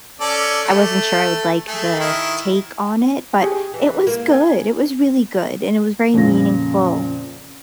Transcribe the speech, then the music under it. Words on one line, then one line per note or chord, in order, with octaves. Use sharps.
I wasn't sure I would like the take on it, but it was good, it was really good, and it was very meaningful.
C#4 A4 D5
A3
A3 G#4
D#3 E4
G4 G#4
E3
A#3
G#5
F2 A#2 C#3 C#4 A#6